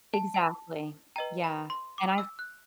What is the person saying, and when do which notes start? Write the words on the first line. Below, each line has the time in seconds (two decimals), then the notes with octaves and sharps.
Exactly, yeah. And I've
0.14 A5
0.34 A5
1.16 B4 D#5 G5 A#5
1.44 B5
1.70 C6
1.98 D6
2.18 E6
2.39 F#6